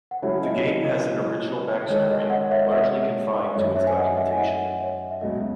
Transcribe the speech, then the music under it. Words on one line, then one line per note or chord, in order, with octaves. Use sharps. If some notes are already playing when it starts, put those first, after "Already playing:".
The game has an original backstory, largely confined to its documentation.
F#5
C#3 F#3 A3 E4 A4 C#5 E5
D#5
C#5
D#5
D#5
D#3 G#3 D#4 A4 C#5
C#5
D#5
D#5 F#5
C#5 E5
C#5 E5
F#2 D#3 A3 D#4 C#5 E5
C#5 E5
G#5
D#5 F#5
E5 G#5
D#5 F#5
C#5 E5
E5
C#2 B2 F#3 A3 D#5